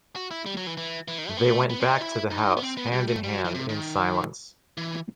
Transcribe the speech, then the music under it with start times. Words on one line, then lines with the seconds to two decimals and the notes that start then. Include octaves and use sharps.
They went back to the house, hand in hand, in silence.
0.16 F#4
0.31 E4
0.46 G3
0.57 F#3
0.67 E3
0.77 E3
1.08 E3
1.18 D#3
1.29 A3
1.37 B3
1.46 A3
1.70 B3
1.80 C4
1.90 D#4
2.01 E4
2.31 D#4
2.57 B3
2.62 C4
2.78 B3
2.93 G3
3.08 A3
3.24 G3
3.33 F#3
3.45 E3
3.55 C3
3.69 D#3
4.77 E3